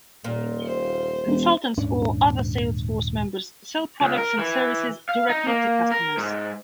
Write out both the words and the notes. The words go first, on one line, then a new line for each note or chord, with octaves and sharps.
Consultants or other sales force members sell products and services directly to customers.
D#1 A#2
C5
E1
D#1 G#2 C#4 D4
C#2
A#4
E3
F5
D#4
A#3
A#4
G#2